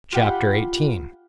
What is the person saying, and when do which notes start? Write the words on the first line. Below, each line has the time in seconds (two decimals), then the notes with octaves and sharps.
Chapter XVIII.
0.12 F4 G4 F#5 B5